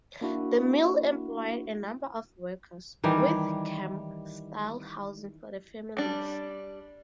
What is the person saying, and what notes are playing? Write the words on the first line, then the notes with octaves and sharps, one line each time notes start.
The mill employed a number of workers, with "camp" style housing for the families.
A#3 D4 E4 F#4
D#3 E3 G3
G3 D4